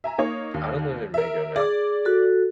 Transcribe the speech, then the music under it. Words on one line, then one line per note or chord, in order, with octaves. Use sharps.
I don’t live in Maigo now.
E5 G#5 A#5
A#3 D#4 C#5
D#2
A#4 E5
G#4 D5 D6
F#4 A4